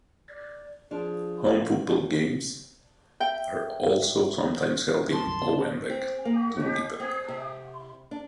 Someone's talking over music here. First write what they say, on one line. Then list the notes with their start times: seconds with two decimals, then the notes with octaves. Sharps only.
Home football games are also sometimes held in Owenbeg, Dungiven.
0.29 D5
0.91 F3 D4 G#4
3.20 E5 G5
5.13 A5 C6
5.25 C2 F#2
5.41 C#3
5.90 C4
6.25 A#3
6.60 D#2
7.00 C4
7.28 C3
8.11 D4